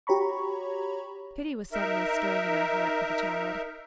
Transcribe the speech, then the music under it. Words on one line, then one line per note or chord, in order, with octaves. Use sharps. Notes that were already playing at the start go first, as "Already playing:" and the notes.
Pity was suddenly stirring in her heart for the child.
F#4 G4 C#5 A#5 B5 C#6
D#4 A#4 E5